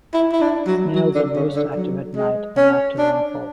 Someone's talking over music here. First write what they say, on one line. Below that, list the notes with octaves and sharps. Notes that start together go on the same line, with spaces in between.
Snails are most active at night and after rainfall.
E4
E4
D4
F#3
F#3
D3
C#3
D3
F#3
G#3
C#4
D4